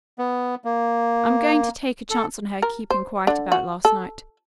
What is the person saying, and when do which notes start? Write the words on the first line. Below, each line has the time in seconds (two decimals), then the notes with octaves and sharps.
I'm going to take a chance on her keeping quiet about last night.
0.19 B3
0.65 A#3
2.10 A4
2.62 A#4
2.90 C5
3.27 D3
3.52 F#4
3.85 A4